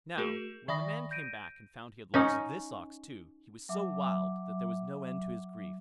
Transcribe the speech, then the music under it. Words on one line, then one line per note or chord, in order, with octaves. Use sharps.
Now, when the man came back and found he had lost this ox too, he was so wild that there was no end to his grief.
A3 F#4 G#4 A#4
D#3 D5 E5 B5 D#6 A#6
G6 A#6 D7 D#7
C#4 D#4
F#3 E5 D6